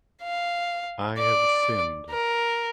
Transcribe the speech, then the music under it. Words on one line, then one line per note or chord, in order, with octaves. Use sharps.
I have sinned.
F5
D5
A#4